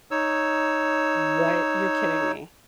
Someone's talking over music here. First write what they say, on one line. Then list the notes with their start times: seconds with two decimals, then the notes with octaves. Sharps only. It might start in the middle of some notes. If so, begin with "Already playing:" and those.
What? You're kidding me.
0.11 D#4 C#5 E6